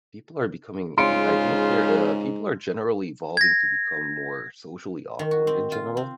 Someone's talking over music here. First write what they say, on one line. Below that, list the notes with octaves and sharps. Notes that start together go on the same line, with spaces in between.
people are becoming ee I think they're, uh people are generally evolving to become more socially awkward in general.
G#2 C#3 C#4 F4 C6 C#7 D7
G#6 A#6
D#3
F#4
C4
F4
C4